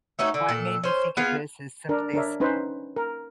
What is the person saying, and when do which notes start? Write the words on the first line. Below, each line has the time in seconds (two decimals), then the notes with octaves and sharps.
what made me think of this is some place
0.19 A3 C#4 D#4 F#4
0.34 D3
0.48 A#2 A4
0.83 C#4 C5
1.17 B3 F4 G#4 F5
1.89 D4 A#4
2.14 D4 A#4 C#5 E5
2.40 C#4 D#4 B4 C5
2.96 A#4